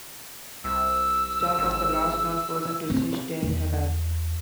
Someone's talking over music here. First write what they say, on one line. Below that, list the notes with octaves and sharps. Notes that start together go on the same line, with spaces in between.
Starr was the last known person to see Staley alive.
C2 E6
G#1
C4
E2